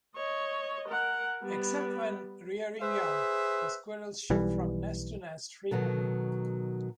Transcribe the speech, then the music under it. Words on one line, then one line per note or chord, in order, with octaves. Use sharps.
Except when rearing young, the squirrels shift from nest to nest frequently.
C#5 D#5
A#4 F#5
G3 B3
G#4 B4 C5 E5
B1 E3 G3
B2 D#3 F#3 A4